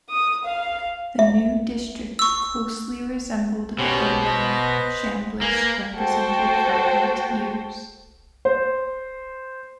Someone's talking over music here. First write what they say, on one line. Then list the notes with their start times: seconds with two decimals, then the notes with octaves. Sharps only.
The new district closely resembled the area Chambliss represented for eight years.
0.10 D#6
0.45 F5
1.19 E5
2.19 C#6 E6
3.79 B2 C#4 G4 C5
4.25 B4 C5 D#5
5.41 A#3 B4 G#5
5.96 F#4 A4 C5 G5
8.45 C5